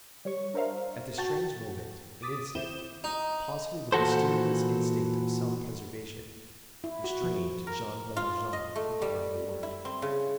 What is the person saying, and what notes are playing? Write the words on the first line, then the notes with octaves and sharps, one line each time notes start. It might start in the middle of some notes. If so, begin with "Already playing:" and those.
At this strange moment, an instinct--possibly the mysterious instinct of self-preservation,--restrained Jean Valjean from uttering a word.
G3 C#5 C#6
D4 A#4 C5 E5 F5
F#4 G5 A5
D6 D#6 A6 B6
D#2 C4 E4 D#6 G6 E7
D#4
A#2 E3 F#4 A4 C5
E4
F#4
F3
A#4
F4
D#5
A3
G3
E4
C4
C#3